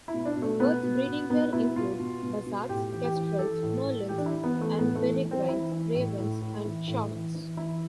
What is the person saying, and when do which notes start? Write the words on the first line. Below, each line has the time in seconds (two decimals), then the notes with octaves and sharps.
Birds breeding here include buzzards, kestrels, merlins and peregrines, ravens and choughs.
0.08 E4
0.14 B2
0.25 D4
0.37 B2
0.42 A3
0.60 B2 B3
0.83 B2
1.07 B2
1.30 B2 B3
1.53 B2 E4
1.76 B2 F4
1.99 B2
2.23 B2
2.47 B2
2.69 A2 G4
2.92 E3
3.04 G4
3.16 E3
3.39 E3 A4
3.63 A2
3.86 A2
4.09 E3 G4
4.18 D4
4.26 E4
4.32 E3
4.43 B3
4.55 E3
4.61 A3
4.79 A2 B3
4.95 A3
5.02 E3
5.25 E3
5.31 C4
5.48 E3 E4
5.72 E3
5.95 A2
6.18 A2
6.41 A2
6.64 E3
6.88 A2
7.11 E3
7.34 E3
7.57 E3 E4